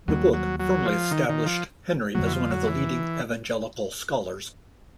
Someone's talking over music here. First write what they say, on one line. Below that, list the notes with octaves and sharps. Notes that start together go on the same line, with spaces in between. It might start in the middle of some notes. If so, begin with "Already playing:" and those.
The book firmly established Henry as one of the leading Evangelical scholars.
D#2 D#3 F#3 G3 A#3
F#3
F#3
F3
D#3
D#3
F3
F2 D3 F#3 G3 A#3
E3
F3
F#3
E3